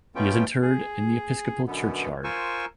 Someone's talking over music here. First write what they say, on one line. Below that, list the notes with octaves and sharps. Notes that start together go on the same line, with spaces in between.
He is interred in the Episcopal Churchyard.
B2 A3 B3 C#4 F4 G5
G#4
F#2 B2 D3 B3
F4 A#4 C5 G#5 C#6 E6